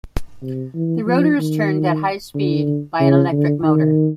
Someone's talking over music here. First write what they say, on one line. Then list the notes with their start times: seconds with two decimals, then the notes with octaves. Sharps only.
The rotor is turned at a high speed by an electric motor.
0.42 C3
0.75 E3
1.07 F3
1.39 D#3
2.35 D3
3.00 C#3
3.32 D3
3.64 D#3